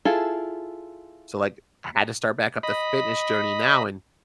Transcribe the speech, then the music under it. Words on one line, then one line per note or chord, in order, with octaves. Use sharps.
so like I had to start back up the fitness journey now and
E4 F4 G#4 A4
D#5 B5